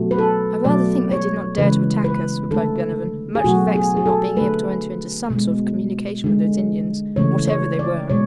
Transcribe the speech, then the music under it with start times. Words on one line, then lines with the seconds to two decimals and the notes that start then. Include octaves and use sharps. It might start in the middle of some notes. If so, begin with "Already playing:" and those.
"I rather think they did not dare to attack us," replied Glenarvan, much vexed at not being able to enter into some sort of communication with those Indians, whatever they were.
Already playing: B2 F#3 A3
0.11 B4
0.18 A4
0.64 B2 F#3 A3 D5
1.11 C#5
1.58 C#3 E3 G#3 B4
2.04 B4
2.51 D3 A3 A4
3.35 G#4
3.44 B2 F#3 A3 F#4
3.75 G#4
3.97 G#4
4.06 A4
4.37 D3 A3 B4
5.30 B2 G#3
6.24 D3 G#3
7.16 C#3 E3 A3 C#5
7.47 C#5
7.79 D5
8.10 B2 G#3 C#5